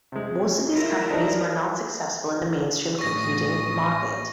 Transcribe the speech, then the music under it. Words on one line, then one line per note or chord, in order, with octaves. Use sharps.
Most of these companies were not successful in the mainstream computing market.
C3 G#3
E4 F4 A#4
F3 D4 D#4
A1 E3 C#6 D#6 A#6